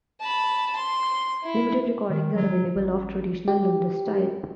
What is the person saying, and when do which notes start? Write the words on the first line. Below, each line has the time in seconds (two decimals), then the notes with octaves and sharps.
Limited recordings are available of traditional lundus style.
0.21 A5 B5
0.77 C6
1.43 E4
2.10 D#3
2.36 F#3
2.76 A1
3.48 G4